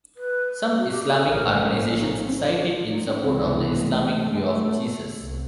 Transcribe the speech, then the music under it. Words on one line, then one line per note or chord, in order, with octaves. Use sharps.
Some Islamic organizations cite it in support of the Islamic view of Jesus.
B4
F#4
G4
G#4
A4
A#1 A2 F3 A3 C#4 A#4
A#4
A4
D#4
C#4
C4
D4
F#4
F4
D#4
C#4
C#2 C3 E3 G#3 B3 C4
A3
A3
A3
A3
G#3
A3
C2